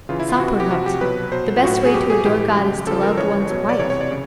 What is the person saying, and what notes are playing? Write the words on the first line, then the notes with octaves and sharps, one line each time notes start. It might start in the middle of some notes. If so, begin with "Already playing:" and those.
Saperlotte! the best way to adore God is to love one's wife.
C#3 E3 F4
E4
F4
C3 E3 F#4
G4
C3 F3 F#4
G4
B2 F#3 B4
B2 F#3 C5
F4
A2 F#3 F#4
G#4
B2 F#3 G4
G#4
A2 E3 G4
C#3 F#3
C#3 F3 A4
A#4
C#3 E3 C#5
B2 F#3
D5
C3 E3 C#5
C#5
D5
C#3